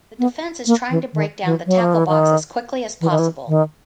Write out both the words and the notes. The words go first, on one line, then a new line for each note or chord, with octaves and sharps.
The defense is trying to break down the tackle box as quickly as possible.
B3
A#3
E3
D#3
E3
F#3
F3
E3
D#3
E3
D#3
E3
D#3